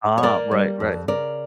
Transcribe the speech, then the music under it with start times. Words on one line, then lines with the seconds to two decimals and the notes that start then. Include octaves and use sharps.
Uh-huh. Right, right.
0.18 C#5
0.23 A#3 A#4 D5
0.51 G3
0.80 F2
1.08 C#3 A#4 D5